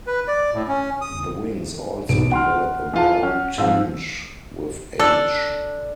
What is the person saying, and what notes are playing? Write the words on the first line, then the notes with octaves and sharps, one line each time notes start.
The wings also develop a brown tinge with age.
B4
D5
A2
C#4
D#6
B1 D7
F#5 C6 F6
E3 F4 A5
C#4 F#5 F6
G#2 F3 C4 F5 E6
D4 A4